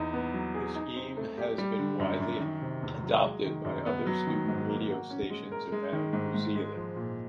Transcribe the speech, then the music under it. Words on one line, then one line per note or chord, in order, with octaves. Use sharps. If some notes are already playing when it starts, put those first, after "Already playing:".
The scheme has been widely adopted by other student radio stations around New Zealand.
Already playing: E2 D#4
B3
F#3
G#4
D#4
C4
A3
G4
G3
D3
F#2
F#2
D#3
C3
E2
F#3
G#3
D#3
F#2
B3
F#3
D#3
G#2
A#3
F#4
C#4
G#3
A#4
G#3
D#3
G#2
G#2
G#3
F3
A#2